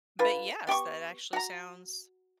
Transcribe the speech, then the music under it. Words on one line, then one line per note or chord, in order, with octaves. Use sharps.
But, yes, that actually sounds
D3 F4 B4
B3 G4 C6 C#6
F#4 A#5